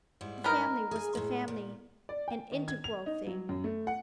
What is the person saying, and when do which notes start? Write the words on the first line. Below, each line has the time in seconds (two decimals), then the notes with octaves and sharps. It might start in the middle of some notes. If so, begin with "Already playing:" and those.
The family was the family, an integral thing.
0.21 G#2 G3 E4
0.44 B3 D#4 A#4
0.91 G#4 G#5
1.15 A2 G#3
1.48 A#2
2.09 D5
2.28 G5
2.52 D#3
2.68 G#6
2.84 F7
3.06 D#4
3.27 F#3
3.49 F#2
3.64 A3
3.87 F#5